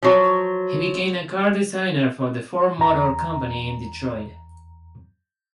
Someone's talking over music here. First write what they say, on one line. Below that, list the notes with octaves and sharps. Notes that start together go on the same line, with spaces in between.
He became a car designer for the Ford Motor Company in Detroit.
F3 F#3
E2 A#5